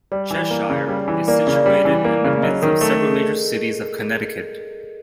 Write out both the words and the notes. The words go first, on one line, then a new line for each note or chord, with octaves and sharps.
Cheshire is situated in the midst of several major cities of Connecticut.
G3 D5
E3
A#3
C#3
G3
E3
A#3 D5
C#3
D5
G3
E3
A#3
C#3
F#3 D#5
D#3 A#4
A3 A4
G#4